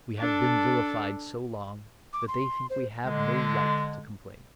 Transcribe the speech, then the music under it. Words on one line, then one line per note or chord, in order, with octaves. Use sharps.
We have been vilified so long, that they think we have no right to complain.
D4 A4
D6
C6
C5
D3 G#3